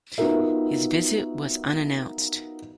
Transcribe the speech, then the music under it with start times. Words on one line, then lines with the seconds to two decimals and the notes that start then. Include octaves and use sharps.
His visit was unannounced.
0.18 B3 D#4 F4 F#4 A#4 E5